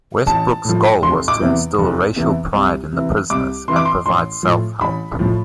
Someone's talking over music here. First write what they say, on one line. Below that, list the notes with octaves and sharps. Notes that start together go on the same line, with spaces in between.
Westbrook's goal was to instill racial pride in the prisoners and provide self-help.
A1 A5
A2 F3
F1 C6
D6
E2 C3 E3
F1
E2 C3 E3
C2
C3 E3
C2 D6
C3 E3 C6
D6
C6
A1 C6
A2 F3
A1 B5
A2 F3